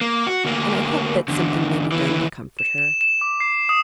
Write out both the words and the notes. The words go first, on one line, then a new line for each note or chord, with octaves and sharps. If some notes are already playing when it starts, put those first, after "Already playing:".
And I hope that something may be done to comfort her.
A#3
F#4
D2 A#3
E2 D3
D#2 E3
E7
E7
E7
D6
C7
D#6